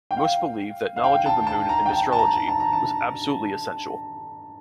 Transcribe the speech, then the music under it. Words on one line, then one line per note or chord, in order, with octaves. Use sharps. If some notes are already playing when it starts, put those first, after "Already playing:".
Most believed that knowledge of the moon and astrology was absolutely essential.
G5
F5
F5
G5
A5
A5
A#5
G5
A5
A5
A#5
A5
A#5
A5